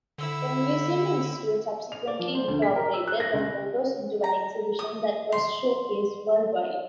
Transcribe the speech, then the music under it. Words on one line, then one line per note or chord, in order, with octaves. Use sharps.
The Museum-Institute subsequently incorporated the photos into an exhibition that was showcased worldwide.
D3 E4 E6
F7
D5
F3
C5
D2
B6
A#4
E6
F#6
A#6
C#2
A#5
D#6
C6